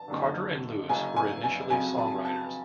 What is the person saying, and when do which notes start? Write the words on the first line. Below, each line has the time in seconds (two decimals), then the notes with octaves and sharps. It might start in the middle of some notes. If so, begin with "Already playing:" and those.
Carter and Lewis were initially songwriters.
Already playing: A5
0.08 F#1 F#2 D3
0.89 F#1 F#2 C#3 G#5
1.16 G#5
1.44 G#5
1.70 F2 C#3 F#3 G#5
1.98 A5
2.25 A5